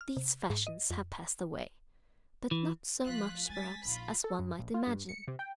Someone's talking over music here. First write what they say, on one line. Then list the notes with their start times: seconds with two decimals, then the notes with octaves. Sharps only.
These fashions have passed away; but not so much, perhaps, as one might imagine.
0.01 F6
0.17 C3
0.50 G#2
0.67 D#5
0.90 F2
2.51 E3
3.05 F3 A3 F4 F#6 B6
3.49 G#3 G#5 A6 B6
3.85 A#1 D#4 F4 B5
4.24 A4
4.39 F#2
4.59 A#1
4.74 F4
4.87 G2
5.09 C#7
5.28 C3
5.39 G5